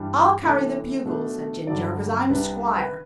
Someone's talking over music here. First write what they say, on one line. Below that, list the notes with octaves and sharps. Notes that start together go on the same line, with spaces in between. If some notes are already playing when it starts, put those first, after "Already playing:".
"I'll carry the bugle," said Ginger, "'cause I'm squire."
Already playing: G2 E3 G3 D4
C3 E3 A3 D4
B2 A3 D4
G2 D3 F#3 D5
C2 C3 G3 D4 B4
B4